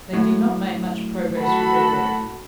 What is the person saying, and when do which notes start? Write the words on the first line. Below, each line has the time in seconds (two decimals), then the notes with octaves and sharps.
They did not make much progress with their work.
0.13 A2 F#3
1.37 F#4 A4 B5